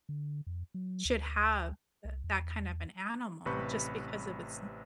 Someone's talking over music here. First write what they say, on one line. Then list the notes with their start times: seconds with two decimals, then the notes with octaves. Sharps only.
should have th that kind of an animal just because of it's kn
0.09 D3
0.47 F2
0.74 F#3
1.05 D2
2.05 C2
2.24 E2
3.46 A1 C3 B4 B5 C#6 G6